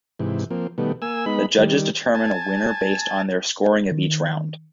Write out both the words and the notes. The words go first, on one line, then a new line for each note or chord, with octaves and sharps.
The judges determine a winner based on their scoring of each round.
G#2 C3 E3
F3 A#3 C4
B2 D#3 G3 A3 B3
A#3 G#5 E6
G#3 B3 D#4 B5
D#3 G3
G#5 A5
D#3